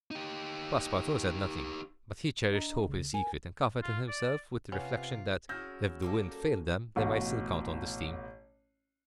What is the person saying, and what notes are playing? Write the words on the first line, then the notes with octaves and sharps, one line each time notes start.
Passepartout said nothing; but he cherished hope in secret, and comforted himself with the reflection that, if the wind failed them, they might still count on the steam.
D#4 G4
D4 D#5 A#5
C2 C#3
A#4 G#5
F4
D5
C3 C#4 F4 B4 F#5 G#5
C#4 E4 F#4 G#4 F6 G6 A#6
G3 A#3 A4
A1 B2 F#4 F5